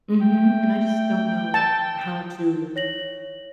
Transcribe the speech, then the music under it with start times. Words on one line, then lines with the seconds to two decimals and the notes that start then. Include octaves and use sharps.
Mhm, and I just don't know how to
0.21 A3 G5
1.54 A5
2.76 C#5 A#6 F#7